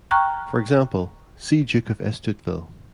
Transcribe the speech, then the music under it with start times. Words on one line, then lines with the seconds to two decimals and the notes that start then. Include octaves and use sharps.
For example, see Duke of Estouteville.
0.11 G5 A#5 C#6 F6 F#6